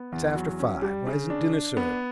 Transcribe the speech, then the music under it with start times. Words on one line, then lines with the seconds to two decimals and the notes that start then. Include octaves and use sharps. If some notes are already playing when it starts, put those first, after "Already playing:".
'It's after five; why isn't dinner served?'
Already playing: B3
0.12 E2
0.35 F#3
0.59 C#4
0.82 G3
1.07 C#3
1.30 D4
1.53 D4
1.77 B3